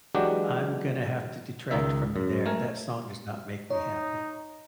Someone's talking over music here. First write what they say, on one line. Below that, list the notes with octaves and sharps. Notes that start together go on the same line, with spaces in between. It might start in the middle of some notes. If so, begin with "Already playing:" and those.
I'm gonna have to detract from you there, that song does not make me happy.
E3 F#3 G#3 D4 F#4 G4
C#2 D#3 D#4 E5
F#2
A3 A#4 G#5
D#4 C#5